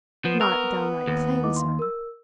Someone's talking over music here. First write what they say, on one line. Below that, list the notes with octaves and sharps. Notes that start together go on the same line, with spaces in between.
"Not downright plain, sir?"
F3 B3 C7
A#4 F5 C#6 E6
D#2 A4
E4 D#5 D6
F5 C6
A#4 E6